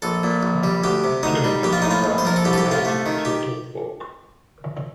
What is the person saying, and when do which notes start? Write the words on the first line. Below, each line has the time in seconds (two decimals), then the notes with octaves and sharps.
During his retirement he invented the "Turtle Clock".
0.02 A#1 A4
0.23 A#2
0.43 A#1
0.64 G3
0.84 D2 G4
1.04 C3
1.23 D2 D#4
1.44 G3
1.63 A#1 G4
1.73 F4
1.82 A2 D#4
1.91 F4
2.04 A#1
2.18 C5
2.25 F3 A#4
2.36 A4
2.44 C2 G4
2.53 A4
2.58 G4
2.65 C3
2.71 F4
2.85 A3
3.06 D#3
3.25 G4